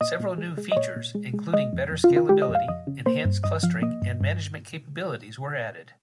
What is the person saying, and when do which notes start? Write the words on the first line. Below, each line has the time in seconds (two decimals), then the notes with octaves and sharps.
Several new features, including better scalability, enhanced clustering and management capabilities were added.
0.01 A#2 D#5
0.20 A#2
0.38 G#3
0.57 G#3
0.72 D#5
0.76 A#2 C#5
0.96 A#2
1.15 G#3
1.34 G#3
1.53 G#3 D#5
1.73 F2
1.91 F2
2.04 F4
2.10 C#3
2.16 F4
2.29 G#3 G4
2.42 D#5
2.49 F2
2.55 F5
2.68 F2 D#5
2.87 C#3
3.06 A#3 C5
3.25 G2
3.44 G2 D#5
3.63 F3 F5
3.82 A#3 D#5
4.02 G2
4.21 G2